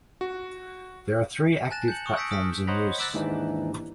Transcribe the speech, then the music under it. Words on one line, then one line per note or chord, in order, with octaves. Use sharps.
There are three active platforms in use.
F#4
G#5 A5 F#6 A6 A#6 E7
G6 C#7 F#7
C#6 D#6 F7 F#7
E6 G6 A#6 B6 C#7 D7
D#6 F6 A#6 B6
C5 C#5 D#5 F#5 A#5 B5
B5 D6 E6 F#6 A6 A#6
D#2 G#2 E3 D4 D#4